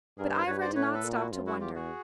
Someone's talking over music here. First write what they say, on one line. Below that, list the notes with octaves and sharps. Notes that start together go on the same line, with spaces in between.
But Ivra did not stop to wonder.
G2 G#4 A#4
A#4 C5
G2 B4 C#5
C5 D5
A2 B4 C#5
A4 B4
A#2
E4 F#4
F#2 F4
E4 F#4
E2 F4 G4
F#4 G#4